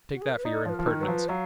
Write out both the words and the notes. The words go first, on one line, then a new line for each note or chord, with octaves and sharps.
Take that for your impertinence.
F#4
G#4
A#4
B4
D#4 D5
F3 B4
A#4
F3
D#3
F#3 B4
F3
F#3 F5